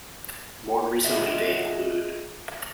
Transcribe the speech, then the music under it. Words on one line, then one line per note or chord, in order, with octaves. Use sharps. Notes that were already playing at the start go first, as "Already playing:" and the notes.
More recently, they include...
F4 G#4 A4 D#5 E5